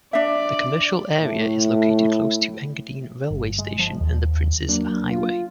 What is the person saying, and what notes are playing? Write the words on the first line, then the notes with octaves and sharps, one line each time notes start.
The commercial area is located close to Engadine railway station and the Princes Highway.
D4 D5 E5
A2 A3
G1
G#3
F3
D#2
F#3 A#3 D4
F4